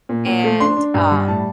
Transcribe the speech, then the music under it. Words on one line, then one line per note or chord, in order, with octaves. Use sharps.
and, um,
A#2
A#2
A3
D4 C6
D4
G2
G3
A2 A5